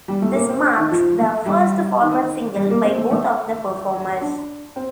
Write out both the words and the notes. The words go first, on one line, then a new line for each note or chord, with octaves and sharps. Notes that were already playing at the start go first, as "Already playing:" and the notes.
This marks the first formal single by both of the performers.
G3
A3
A#3
C4
D4
D#3
F3
A3
G3
D#3
G3
A#3
C4
A3
A3
D4
C4